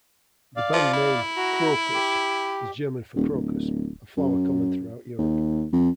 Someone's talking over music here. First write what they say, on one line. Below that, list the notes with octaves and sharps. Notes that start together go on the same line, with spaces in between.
The band name "Krokus" is German for crocus, a flower common throughout Europe.
D5 F5
F3
E4
F#4 A#5
G4
D#1
D1
F#2
D#2
F2